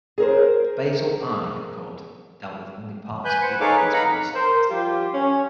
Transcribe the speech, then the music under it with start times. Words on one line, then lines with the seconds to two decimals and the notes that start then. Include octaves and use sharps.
The Basel I accord dealt with only parts of each of these pillars.
0.18 G#4 A#4 C5
3.25 B4 G#5 F#6 G6
3.42 B4 C5 F#5
3.60 D#4 G#4 A4 C#5 F5 D6
3.76 B4
3.93 D#4 F5 F#5 A#5 B5
4.34 A#4 C5
4.69 F3 G3 F4 G4
5.12 C#4